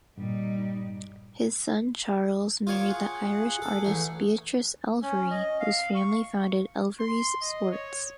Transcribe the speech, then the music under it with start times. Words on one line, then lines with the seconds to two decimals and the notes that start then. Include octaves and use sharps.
His son Charles married the Irish artist Beatrice Elvery, whose family founded Elverys Sports.
0.18 G2 A#2 G3 D#4
2.67 A#3 F4 C#5 D#6
2.88 G#4 F#5
3.62 A4
3.85 A1 A3
5.02 C#4
5.31 D#5
5.60 F5
5.95 C#6
7.00 C6
7.41 D#5
7.71 C#5